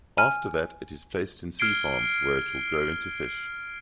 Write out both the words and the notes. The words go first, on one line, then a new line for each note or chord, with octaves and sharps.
After that it is placed in sea farms where it will grow into fish.
G#5 F6
F6 G#6 C7 D7 G7